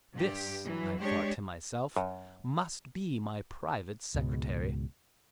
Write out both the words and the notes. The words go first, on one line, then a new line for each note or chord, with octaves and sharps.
This, I thought to myself, must be my private secretary.
G2 G4
E3 F#3
G#3 D4 G4 C#5
F#2
C#2 G#2 B2 G#3